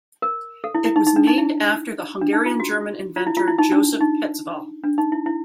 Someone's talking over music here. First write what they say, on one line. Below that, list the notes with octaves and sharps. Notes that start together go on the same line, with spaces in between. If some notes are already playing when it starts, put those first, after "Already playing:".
It was namer after the Hungarian-German inventor Joseph Petzval.
A#4
A4
E4
E4
D#4
D#4
D4
D#4
E4
D4
D#4
F4
F#4
F4
E4
F4
E4
D#4
D4
D#4
D4
D#4
E4
E4